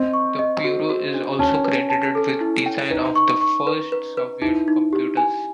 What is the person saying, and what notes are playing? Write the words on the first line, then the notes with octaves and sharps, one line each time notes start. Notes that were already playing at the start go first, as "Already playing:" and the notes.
The bureau is also credited with design of the first Soviet computers.
Already playing: C4 D#5
C#6
D#5
F#4
F#4
D4
C#4 A5
B4
A5
A4
E4
G5
D#4 B4
C#6
C#6
B4
B4
B4
D#4 E4
D#4
G4
G#5